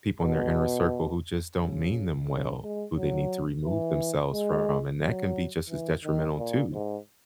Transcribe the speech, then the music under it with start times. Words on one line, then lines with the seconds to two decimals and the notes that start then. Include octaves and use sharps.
people in their inner circle who just don't mean them well, who they need to remove themselves from, and that can be just as detrimental too.
0.21 B2
1.58 C#3
2.28 C#3
2.62 G#3
2.95 F#3
3.64 E3
4.33 G#3
5.01 F#3
5.70 E3
6.04 D#3
6.38 A#2
6.73 G#2